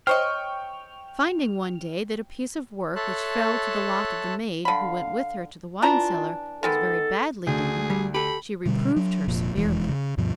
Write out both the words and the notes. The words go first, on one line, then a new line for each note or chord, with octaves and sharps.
Finding one day that a piece of work which fell to the lot of the maid who went with her to the wine-cellar was very badly done, she reproved her severely.
C5 C#5 D#5 G5 C#6 F6
A4 C#5 E5 A5 C6 F#6
D3 F5 B5
E3 D4 F4 A#5
D#3 G#3 B3 A4
D2 G#4
G3
G4 A4 B5
B2 D3 G3
F#3 D4
F1 A#2 F3
E1 F2 E3 G#3
C#3
D2 G2 B2 F3